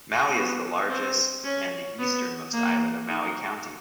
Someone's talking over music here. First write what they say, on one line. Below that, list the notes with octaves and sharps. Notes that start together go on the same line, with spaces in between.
Maui is the largest and the easternmost island of Maui County.
B3
C4
C#4
B3
A#3
D#4